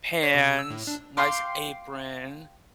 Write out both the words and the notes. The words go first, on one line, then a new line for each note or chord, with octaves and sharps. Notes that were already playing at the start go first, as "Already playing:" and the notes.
pans, nice apron.
C#5
C3
E6
A2
D4
F5 G5 C6 D6